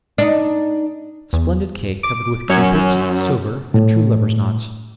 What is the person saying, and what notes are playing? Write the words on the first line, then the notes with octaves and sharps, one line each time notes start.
Splendid cake, covered with Cupids, silver, and true-lovers' knots.
D4 D#4
E2
D6
F#2 C#5
A2